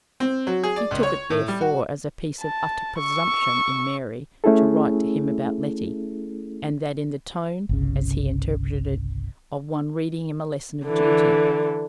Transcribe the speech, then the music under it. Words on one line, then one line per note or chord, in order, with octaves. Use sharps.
He took it, therefore, as a piece of utter presumption in Mary to write to him about Letty, and that in the tone, as he interpreted it, of one reading him a lesson of duty.
C4
F#3
G#4
D5
C#2
C#5
A2
G3
F#4
A5
C#6 E6
A3 C#4 E4 G#4 A4
G1 C2 C#3
D3 E3